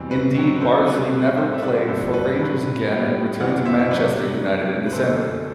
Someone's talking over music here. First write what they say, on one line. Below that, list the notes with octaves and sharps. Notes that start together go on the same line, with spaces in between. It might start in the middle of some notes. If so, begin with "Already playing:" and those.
Indeed, Bardsley never played for Rangers again and returned to Manchester United in December.
Already playing: E2 B2 G3 C4
B4
B2 F#3 C4
B4
A4 C5
B2 G3 C4 B4
A2 G3 C4 A4 C5
E5
B4 D5
G2 D3 A3 D4 A4 C5
B4 D5
A2 F#3 C4 B4
A2 G3 B3
F#2 E3 B3 D4 D5 F#5
C5 E5
E5
C3 F#3 B3 D4 B4 D5
C3 F#3 B3 D4
B4
F#2 D3 A3 D4 A4 C5